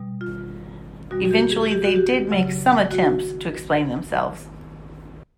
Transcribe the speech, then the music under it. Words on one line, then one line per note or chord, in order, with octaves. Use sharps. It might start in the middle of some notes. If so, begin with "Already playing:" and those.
Eventually they did make some attempts to explain themselves.
Already playing: B2 G3
F4
B2 G3 F#4
F#4
G4
G#4
G4
F#4
G4
C#3 F#3
F#4